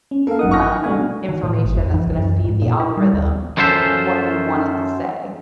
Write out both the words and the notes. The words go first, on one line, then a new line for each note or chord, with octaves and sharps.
um, information that's gonna feed the algorithm what you want it to say?"
C#4
A#3 A4 A#4 F5
G#1 F#2 D#4 F#5 D#6
C#6 F6 A#6
C2 B2 A3 D4 G#5
D#3
A2
G#1
F2
E3
C2
F#2
G#2
A#2
E4
G3
D2
F#2 C#4 F4 A4 C5 E5